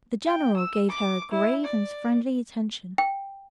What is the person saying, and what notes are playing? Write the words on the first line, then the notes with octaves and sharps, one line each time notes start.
The General gave her a grave and friendly attention.
G5
E6
D6
E4
D5
G5